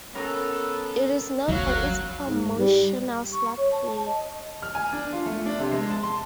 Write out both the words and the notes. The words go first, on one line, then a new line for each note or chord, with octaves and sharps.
It is known for its promotional slot play.
B3 C#4 A4 A#4
G1 D2 F#3 F5 F#6
G#2
G3
C#6
C#5
A5
D#5
F6
G#5
D4
F4
A3
D4
C3
G#3
A5
C6